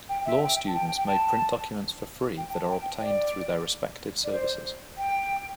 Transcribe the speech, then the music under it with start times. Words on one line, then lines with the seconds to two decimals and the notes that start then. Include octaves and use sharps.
Law students may print documents for free that are obtained through their respective services.
0.09 G5
0.26 E5
0.42 G5
0.67 A5
0.75 G5
0.97 G5
1.07 A5
2.37 G5
2.53 A5
2.70 G5
2.86 G5
3.02 D5
4.24 D5
4.33 C5
4.97 G5